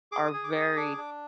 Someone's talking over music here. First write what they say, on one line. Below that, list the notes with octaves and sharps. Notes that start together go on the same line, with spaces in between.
are very,
G#4 D6
D#6
G#4
D6
G#4
D#6
D4 D6
D4